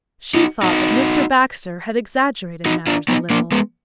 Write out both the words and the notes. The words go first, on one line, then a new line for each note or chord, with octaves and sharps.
She thought that Mr. Baxter had exaggerated matters a little.
D#4 F#4
D#4 F#4
D#4 F#4
D4 F4
B3 D#4
A#3 D4
G#3 B3